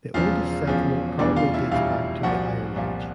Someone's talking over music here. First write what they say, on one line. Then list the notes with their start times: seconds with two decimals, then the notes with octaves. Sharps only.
The oldest settlement probably dates back to the Iron Age.
0.14 E1 E2 C#3 F3 F4 F5
0.67 E1 E2 C#3 F3
1.19 F1 E2 B2 G3 D4 D5
1.36 F4 F5
1.54 E4 E5
1.71 F1 E2 B2 G3 F4 F5
2.23 C2 A#2 F3 F#4 F#5
2.76 C2 A#2 F3